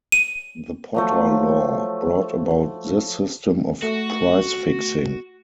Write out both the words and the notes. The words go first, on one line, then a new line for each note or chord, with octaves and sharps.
The Potter Law brought about this system of price fixing.
D#7
F3 F#3 A3
A3 F#4